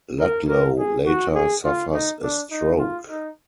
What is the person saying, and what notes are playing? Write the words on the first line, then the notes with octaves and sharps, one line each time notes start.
Ludlow later suffers a stroke.
A#4
A#4
G#4
F#4
G#4
F4
D#4
D4
D#4
F4
D#4